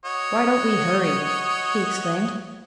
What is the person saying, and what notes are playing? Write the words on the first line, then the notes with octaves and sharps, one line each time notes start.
"Why don't we hurry!" he exclaimed.
F#4 C#5 D#5